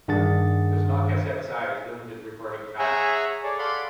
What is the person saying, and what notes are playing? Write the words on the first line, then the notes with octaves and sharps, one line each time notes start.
The small cassette size limited recording time.
G2 D#3 D4 G#4 F#5 A6
G#4 C#5 E5 F#5 G#5 A#5
G#4 A4 C#5 D5
A4 D5 F5 F#5 B5 C6